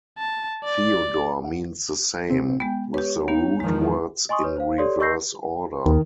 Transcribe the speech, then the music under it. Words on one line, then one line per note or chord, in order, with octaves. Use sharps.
Theodore means the same, with the root words in reverse order.
A5
D5
C3 C4
G#3 B3 G5
G4 B4 C#5
B3 D#4
E2 D#3 F3 G#3
D#5 G#5 C6 C#6 D#6
B4 C#5
C5 F5
G4 A4 C#5 D5 C6
D#5 C#6 E6 G6 A#6 C7
D#2 D#3